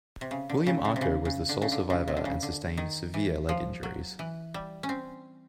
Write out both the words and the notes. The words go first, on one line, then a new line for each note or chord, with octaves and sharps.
William Arko was the sole survivor and sustained severe leg injuries.
C3
C#3
D3
C#3
C#3
C3
C#3
C#3
D3
C#3
D3
C#3
C3
D3
C#3
D3
D#3
E3
F3
F#3
E3
G3
C#4
C4